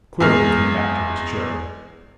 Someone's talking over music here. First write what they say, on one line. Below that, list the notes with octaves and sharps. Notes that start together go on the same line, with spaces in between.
Quillan came back to his chair.
E2 G#3 F6 C7